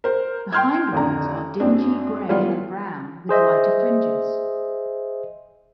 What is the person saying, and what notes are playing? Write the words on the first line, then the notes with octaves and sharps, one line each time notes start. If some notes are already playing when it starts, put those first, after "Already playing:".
The hindwings are dingy grey or brown with lighter fringes.
A#4 C5
G5 C6 F6 G6 G#6
A1 F2 D3 A#5
F#2 C4 D4
F#3 G3 B3 F4
G#4 C5 D#5 E5